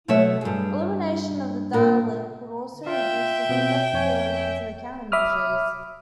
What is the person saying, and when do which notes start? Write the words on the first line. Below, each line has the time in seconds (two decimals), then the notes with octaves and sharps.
Elimination of the datalink would also reduce the susceptibility to countermeasures.
0.08 B2 F#3 A3 C#5 E5
0.41 G2 G#4
1.73 A#2 A#4
2.86 F4 E5 F5 G5
3.49 B2 B3 C4
3.93 F2 C#5 G#5
5.12 E5 B5 D6 D#6 F6